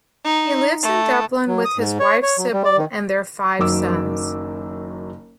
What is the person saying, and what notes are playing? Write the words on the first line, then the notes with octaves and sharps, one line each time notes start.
He lives in Dublin with his wife Sibylle and their five sons.
D#4
A3
F#3
D#6
G#2
C#5
C#5
F#3
G3
D5
D#3
F#1 F#2 D#3 F#3 D6 E6